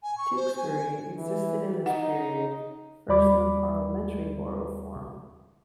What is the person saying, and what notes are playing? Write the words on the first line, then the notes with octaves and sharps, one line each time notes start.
Tewkesbury existed in this period, first in the parliamentary borough form.
G#5
C#6
C5
G#5
E3
D#4 F#5
D#2 G3 D5 B5 D6